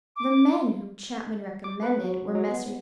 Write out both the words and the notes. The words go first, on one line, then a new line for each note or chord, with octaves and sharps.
The men whom Chapman recommended were Messrs.
D6
D6
B4
F#3
F#3
B3